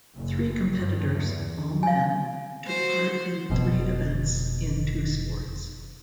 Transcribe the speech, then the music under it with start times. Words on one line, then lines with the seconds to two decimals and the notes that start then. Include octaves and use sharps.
Three competitors, all men, took part in three events in two sports.
0.15 F#1
0.73 G2
1.15 E2
1.83 F5 G#5
2.67 F#4 C5
3.50 F1 B2